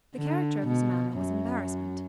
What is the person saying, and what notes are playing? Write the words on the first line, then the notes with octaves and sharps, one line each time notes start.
The character of his manner was embarrassment.
D3
B2
F#2